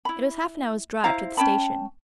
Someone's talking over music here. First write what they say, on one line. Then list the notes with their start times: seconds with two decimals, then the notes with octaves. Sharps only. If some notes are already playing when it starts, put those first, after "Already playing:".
It was half-an-hour's drive to the station.
0.05 E4 B5
1.04 E4 C5 F5 A#5
1.37 C#4 G5 A5 B5